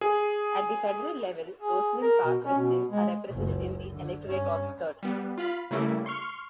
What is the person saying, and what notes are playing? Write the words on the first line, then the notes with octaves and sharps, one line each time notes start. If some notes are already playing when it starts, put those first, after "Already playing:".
At the Federal level, Rosslyn Park residents are represented in the electorate of Sturt.
G#4
G#4
A#4
B2
C#4
B2
G#3
F#1 C#2
D3
G2 C#4
G3 B3
F4 F5 B5
C#3 G3 A3 A#3 E4
C6 C#6 F6